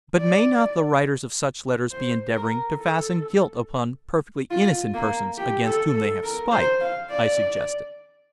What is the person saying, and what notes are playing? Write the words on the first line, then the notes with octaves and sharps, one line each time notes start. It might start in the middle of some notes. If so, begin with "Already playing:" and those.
"But may not the writers of such letters be endeavouring to fasten guilt upon perfectly innocent persons against whom they have spite?" I suggested.
D5
C5
A#4
A4
F4
A#3
G4
A4
A4
A#4
C5
F5
D5